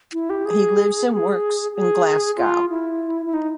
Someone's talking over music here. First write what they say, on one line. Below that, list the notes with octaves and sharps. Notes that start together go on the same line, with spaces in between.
He lives and works in Glasgow.
E4
G4
G#4
G#4
G#4
F4
E4
E4
D#4